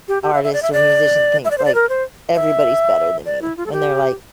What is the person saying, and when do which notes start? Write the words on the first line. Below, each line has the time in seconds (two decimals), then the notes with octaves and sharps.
artist or musician thinks, like, "Everybody's better than me." When they're like
0.08 G4
0.23 G4
0.34 E5
0.44 E5
0.53 D5
0.63 E5
0.73 D5
1.45 E5
1.51 D5
1.58 C5
1.65 D5
1.75 A#4
1.89 C5
2.35 E5
3.26 D5
3.42 E4
3.57 F4
3.66 A4
3.72 G4